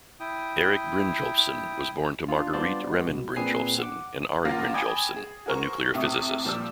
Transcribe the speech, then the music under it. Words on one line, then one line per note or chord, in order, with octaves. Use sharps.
Erik Brynjolfsson was born to Marguerite Reman Brynjolfsson and Ari Brynjolfsson, a nuclear physicist.
E4 G5 D#6
D4 F4
G3 B3 D4 F4 C5 D5
G#3 B3
C2 B2
A#2 C4 G#4 B4 G#5 C7
F#5 D6
E2 A#3 C#4 F4 A6 A#6
G5 G#5 B5 D6 D#6 G#6
G#4
F#4 G#4 A#4 C5 C#6
A2 C3 E5 C#6 D#6
A#2 F3 G3 G4 E6